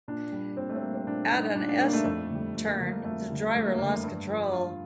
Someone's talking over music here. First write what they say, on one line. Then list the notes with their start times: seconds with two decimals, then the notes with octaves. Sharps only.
At an S-turn the driver lost control.
0.08 A#2 D4
0.32 G3
0.57 A#2 C4
0.70 A3
0.76 C4
0.81 G3 A#3
0.94 C4
1.07 A#2 D4
1.32 G3 D#4
1.56 A#2 D4
1.68 D4
1.80 G3 A#3
1.93 A3
2.05 F2 A3
2.30 D3 G3
2.55 F2 A3
2.67 A#3
2.79 D3 G3 A#3
2.92 A#3
3.04 F2 A3
3.29 D3 G3
3.54 F2 A3
3.66 A#3
3.78 D3 G3 A#3
4.03 G2
4.29 F3
4.53 G2 F4